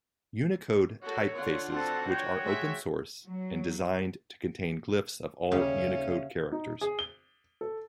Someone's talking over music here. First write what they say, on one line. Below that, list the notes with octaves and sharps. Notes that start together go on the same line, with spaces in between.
Unicode typefaces which are open-source and designed to contain glyphs of all Unicode characters.
F#4 A4 C#5
D3 F4 F#5
C4 F#4 A4
C#5 G5
G#3 E5
F#3
D#2 C#3 G3 C#4 E5 F5
D#4
G#4
G7
A4